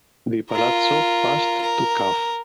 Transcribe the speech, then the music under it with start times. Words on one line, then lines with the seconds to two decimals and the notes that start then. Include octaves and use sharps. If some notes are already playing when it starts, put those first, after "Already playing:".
The palazzo passed to cav.
0.50 F4 A#4
1.61 A#4